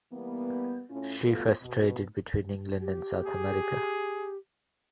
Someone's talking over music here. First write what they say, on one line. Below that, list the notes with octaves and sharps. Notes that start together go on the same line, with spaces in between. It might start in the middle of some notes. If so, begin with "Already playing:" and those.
She first traded between England and South America.
E3 G3 A#3 B3
A2 C#4 F4
G3 A3 B3 F4 F#4 A4
B2
G4
G#4